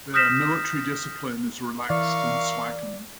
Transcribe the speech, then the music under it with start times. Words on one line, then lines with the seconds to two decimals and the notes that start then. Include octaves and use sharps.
Their military discipline is relaxed and slackened.
0.14 D#6 F6 G6 A#6 B6 E7
1.90 E3 A#4 D5 E5 F5 C#6